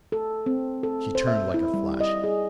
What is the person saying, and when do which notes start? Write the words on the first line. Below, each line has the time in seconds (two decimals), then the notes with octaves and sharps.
She turned like a flash.
0.12 A4
0.46 C4
0.83 A4
1.15 C5
1.27 E5
1.54 E4
1.74 G3
2.00 D#5
2.24 G#4